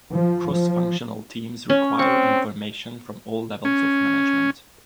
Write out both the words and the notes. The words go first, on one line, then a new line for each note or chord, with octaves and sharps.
Cross-functional teams require information from all levels of management.
F3
F3
C#4
C4 C#6
C#4